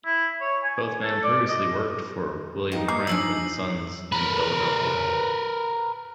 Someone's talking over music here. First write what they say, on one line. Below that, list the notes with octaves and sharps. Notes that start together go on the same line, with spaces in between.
Both men previously worked for William Cramp and Sons in Philadelphia.
E4
C#5
G#5
A4
D5
D#5
D#4 D#5 F5 G5
A#3 D6 C7
F3 D4 G#5 E6 F#7
A#4 B4